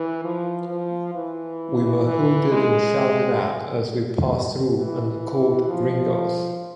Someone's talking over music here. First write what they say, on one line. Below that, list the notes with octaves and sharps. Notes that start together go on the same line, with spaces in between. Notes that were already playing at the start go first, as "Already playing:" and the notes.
We were hooted and shouted at as we passed through, and called gringoes.
Already playing: E3
F3
F3
E3
E3
G#3
E3
F3